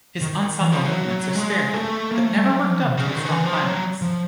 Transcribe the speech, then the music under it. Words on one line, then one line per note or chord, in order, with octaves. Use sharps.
His ensemble movements are spirited, but never worked up to a strong climax.
D#3
E3
F3
F#3
G#3
A3
A#3
A3
G3
F#3
F3
B2
C#3
D3
D#3
E3
F3
F#3
F3